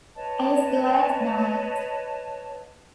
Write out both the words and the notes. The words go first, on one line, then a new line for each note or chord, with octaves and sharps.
I was glad to know it.
B4 C#5 D#5 A5